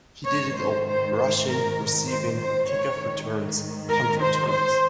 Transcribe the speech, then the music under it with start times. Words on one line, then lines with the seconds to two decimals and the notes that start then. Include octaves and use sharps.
He did it all -- rushing, receiving, kickoff returns, punt returns.
0.25 G#2 D#3 C#5
0.55 C5
0.86 C5
1.16 C5
1.46 A#4
2.07 C5
2.38 C5
2.68 G#2 D#3 C#5
3.89 A#4
4.20 C5
4.50 C5